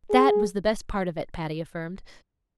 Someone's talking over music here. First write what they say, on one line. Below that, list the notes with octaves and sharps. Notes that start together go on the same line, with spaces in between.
"That was the best part of it!" Patty affirmed.
G#4